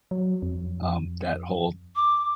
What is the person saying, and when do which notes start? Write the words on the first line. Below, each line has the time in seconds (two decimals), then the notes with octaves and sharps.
um, that whole
0.11 F#3
0.42 F2
1.96 D6